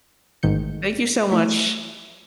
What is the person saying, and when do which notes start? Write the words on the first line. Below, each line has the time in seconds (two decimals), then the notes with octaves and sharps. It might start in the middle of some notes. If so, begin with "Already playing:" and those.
Thank you so much.
0.43 A1 G#2 D#3 G6 C#7
1.32 A3 E4